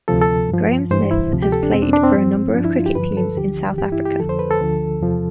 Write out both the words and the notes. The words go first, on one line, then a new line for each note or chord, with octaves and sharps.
Graeme Smith has played for a number of cricket teams in South Africa.
D2 C3 F3 A4
A4
G2 F3
G2 E3 C5
E4
D2 C3 F3
G4
A4
D4
E2 B2 C4
D4
D4
C4
G2 F3
G2 F3 D4
E4
F4
G4
G2 D3 F3 B4
A4
D2 D3 F3 G4
G2 E3 G4
E4
G4
F2 D3 F3 A4
C5
B4
A4
D2 D3 F3
E2 C3 F3